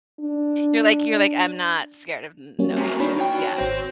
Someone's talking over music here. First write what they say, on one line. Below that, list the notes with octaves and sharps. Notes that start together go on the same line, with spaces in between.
You're like you're like, "I'm not scared of n no beach reads," yeah.
D4
G3 A#3 C#4 F#4
C3 A#3 G#5 A#5
D#3 D4 C#5 B5
F2 G5
G#1 C4 C#5 A#6